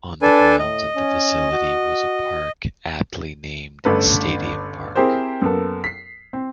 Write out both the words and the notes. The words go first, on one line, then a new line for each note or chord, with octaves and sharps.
On the grounds of the facility was a park, aptly named "Stadium Park".
D4 A4 B4 G#5
A2 D#5
C#4
F#4
G1 D3 A3 C#4 A4 B4
C4 E4 G4 G#4 A#4 C5
F#2 A#3 B3 A4
B6 C7
C4